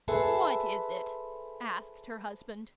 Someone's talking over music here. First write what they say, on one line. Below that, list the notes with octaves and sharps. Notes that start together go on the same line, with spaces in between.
"What is it?" asked her husband.
G#4 A4 B4 C5 E5